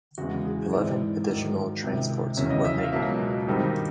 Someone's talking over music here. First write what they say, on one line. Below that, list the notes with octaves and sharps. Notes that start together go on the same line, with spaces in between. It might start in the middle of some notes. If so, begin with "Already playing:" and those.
Eleven additional transports were made.
E2 C#3 E3 G#3 F#4
G#4
G#2 E3 G#3 C4 D5
G#2 D#3 F#3 A#3
C#2 C3 D#3
E2 C#3 F#3 A#3 C#4 E5
D#5
E5
F5
C#2 B2 F#3 A#3 C#4 E5
G2 D#3 G3 C4 D#4